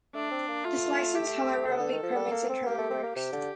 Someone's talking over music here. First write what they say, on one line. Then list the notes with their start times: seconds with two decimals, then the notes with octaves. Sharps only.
This license however only permits internal works.
0.15 A3 D4
0.31 C4
0.48 A#3
0.65 A3 F4
1.15 G4
1.66 C3 A4
1.80 D3
1.92 D#3
2.03 F3
2.15 G3
2.32 A#3
2.50 C4
2.66 A#3 G4
2.78 A3
2.90 C4
3.03 A#3
3.16 C3 G4
3.33 D3